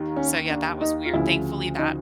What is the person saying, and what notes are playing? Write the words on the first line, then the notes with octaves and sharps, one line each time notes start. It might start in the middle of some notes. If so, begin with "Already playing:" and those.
So, yeah, that was weird. Thankfully, that
Already playing: D#2 D#3
C#4
D4
D#4
F4
D2 C#3 F3 E4
D#4